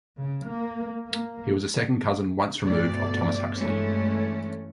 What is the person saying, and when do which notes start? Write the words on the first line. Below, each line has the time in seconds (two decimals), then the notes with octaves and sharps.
He was a second-cousin once removed of Thomas Huxley.
0.17 C#3
0.46 A#3
1.07 A#3
2.61 D2 G2 B2 D5
3.55 G2 E3 G#3 A3 C#4